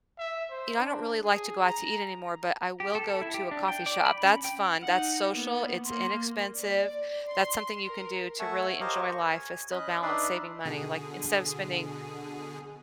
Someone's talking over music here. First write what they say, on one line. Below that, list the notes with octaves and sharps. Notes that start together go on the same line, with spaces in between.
you know, I don't really like to go out to eat anymore, but I will go to a coffee shop- that's fun, that's social, it's inexpensive. That's something you can do to really enjoy life and still balance saving money- like, instead of spending
E5
C5
D4
G#4
A#5
G4
A4
A4
E4
G4
D4
G5
D5
B5
C#4
G5
D#4 F#5
A#3 B3
A#3 C6
D5
C6
A#4
A3 E5 F#5 G#5 A5 C#6
G4 A#4 C5 C#5 D#5 F5
C#6
G#5
C#4 D#5 B5 F#6
D4 D#4 B4 D5 E5 C6
B2 D3 G#4